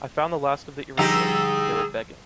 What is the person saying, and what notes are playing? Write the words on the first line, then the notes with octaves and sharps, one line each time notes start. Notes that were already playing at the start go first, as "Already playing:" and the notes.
I found the last of the Iroquois. They were begging.
D3 F3 G3 D#4 G4 G#4 A#5 E6